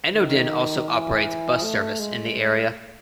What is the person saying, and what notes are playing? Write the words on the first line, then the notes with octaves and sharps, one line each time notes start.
Enoden also operates bus service in the area.
D#3
E3
A3
G#3